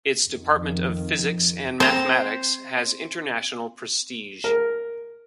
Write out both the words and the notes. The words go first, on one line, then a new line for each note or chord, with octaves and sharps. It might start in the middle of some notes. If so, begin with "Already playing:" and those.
Its departments of physics and mathematics has international prestige.
F2 D#3
C4 C5 A#5
A#4